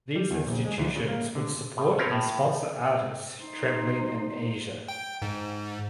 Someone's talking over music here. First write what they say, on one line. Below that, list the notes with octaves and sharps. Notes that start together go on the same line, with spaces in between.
These institutions would support and sponsor artists travelling in Asia.
G3
E2
A#1
G#3
D2
C#3
A#3
D3
A2
C4 C#4 A#4
A2
D#4 C5
G5
G#2